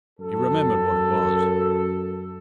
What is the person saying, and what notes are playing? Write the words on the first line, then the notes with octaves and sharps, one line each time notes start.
He remembered what it was.
F#2 A4